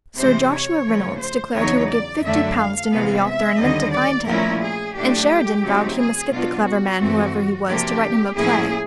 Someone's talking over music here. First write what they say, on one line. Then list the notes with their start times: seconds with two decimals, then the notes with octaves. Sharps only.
Sir Joshua Reynolds declared he would give fifty pounds to know the author and meant to find him, and Sheridan vowed he must get the clever man, whoever he was, to write him a play.
0.18 C3 E3 G#3 C5
0.52 C#5
0.87 C#3 F3 A3
1.21 C5
1.55 E2 C#3 F#3 B3 D#4 C#5
1.89 D5
2.23 F#2 D3 F#3 A3 D4 E5
2.58 F5
2.92 C3 E3 G#3 B3
3.26 E5
3.59 D#2 D3 G3 D#5
3.94 D5
4.27 A#2 F3 A3 C#4 E4 A#4
4.61 G#4
4.96 A2 F#3 A3 D4 G4
5.64 C#3 F#3 A3 C4 D#4
5.98 G#4
6.32 B2 F#3 B3 D4 F4
6.66 F#4
7.01 G2 E3 A3 C4
7.68 C3 F3 A#3 D4 G4
8.36 A2 F3 A#3 C#4 E4 G#4